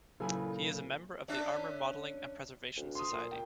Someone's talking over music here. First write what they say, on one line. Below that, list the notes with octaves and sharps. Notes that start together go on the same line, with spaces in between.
He is a member of the Armor Modeling and Preservation Society.
A#2 C#3 F#3 E4 A4 B4 G#5 B5
C#4 D4 E5
D2
C6 D#6
A#2
G5